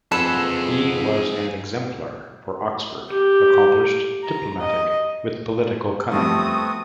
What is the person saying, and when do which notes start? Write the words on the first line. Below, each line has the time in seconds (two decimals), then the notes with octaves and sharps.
He was an exemplar for Oxford, accomplished, diplomatic, with political cunning.
0.12 F2 G#4 A4 B4 F#5 E6
3.09 G4
4.23 A#5
4.60 D#5
6.12 F2 F3 G3 A3 B3 C4 F#4 D#6